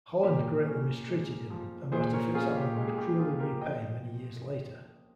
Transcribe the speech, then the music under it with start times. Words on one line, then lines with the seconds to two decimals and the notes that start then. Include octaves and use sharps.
Holland greatly mistreated him, a matter FitzAlan would cruelly repay many years later.
0.23 A#2 G4 A#4
0.66 C#4
1.08 G#3
1.50 F3
1.92 A#2 G#4 C5
2.13 A#4 C#5
2.34 C#4 F4 G#4
2.56 G4
2.76 G#3 G4
2.87 G#4
2.98 G4
3.18 F3 F4 G#4
3.40 G4 A#4
3.61 F3 D#5 G5